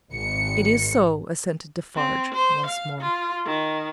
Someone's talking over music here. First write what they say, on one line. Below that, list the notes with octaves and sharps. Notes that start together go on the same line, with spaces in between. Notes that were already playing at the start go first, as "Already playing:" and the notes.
"It is so," assented Defarge once more.
G#1 C#7
C4
C5
F5
F4
D#3